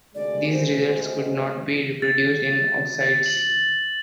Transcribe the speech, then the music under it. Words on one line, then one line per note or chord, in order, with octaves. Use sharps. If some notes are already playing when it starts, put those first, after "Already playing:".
These results could not be reproduced in oocytes.
D2 C3 G#3 D5
C5
A6
A6
F#7